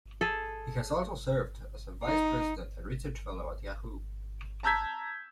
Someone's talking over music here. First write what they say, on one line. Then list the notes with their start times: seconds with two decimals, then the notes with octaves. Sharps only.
He has also served as a Vice President and Research Fellow at Yahoo!
0.21 G#4 A4
2.04 D#4
4.63 A5 A#5 E6 G6 G#6 B6